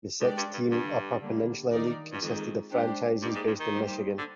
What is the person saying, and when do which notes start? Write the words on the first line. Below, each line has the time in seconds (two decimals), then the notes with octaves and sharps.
The six–team Upper Peninsula League consisted of franchises based in Michigan.
0.20 F2 G#3 D4 G4 D5
0.38 G2
0.53 G2
0.70 G2 D3 G3 D4
1.21 D3 G3 A#3
1.71 D#3 A#3 D#4 A#4 D5
2.12 G2
2.21 F2 D#3 G#3 D#4
2.72 G#3 D4 G4 C5
3.22 G2 A#3 D#4 G4 D5
3.35 G#2
3.47 G2
3.60 D#3
3.73 G3 A#3 D#4 G4 C5
4.18 D3